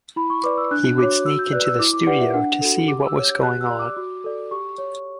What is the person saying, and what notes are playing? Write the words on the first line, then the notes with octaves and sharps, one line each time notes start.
He would sneak into the studio to see what was going on.
E4 B5
C#6
B4 D5 D6
E6
D4 F#6
F#4 C#5 D6
F#4 E6
G6
B4 D5 F#6
E6
E4 D6
D6
G4 B4 D5 F#5
E5
D4 F#5
F#4 A4
G4 D6
E6
C#5
G6
G4 F#6
E6
D5
D6
F#4
A4 D5
G4 C#6
C#5